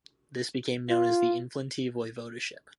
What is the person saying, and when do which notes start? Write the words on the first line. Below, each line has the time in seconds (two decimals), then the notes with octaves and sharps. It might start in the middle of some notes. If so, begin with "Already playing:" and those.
This became known as the Inflanty Voivodeship.
0.90 F4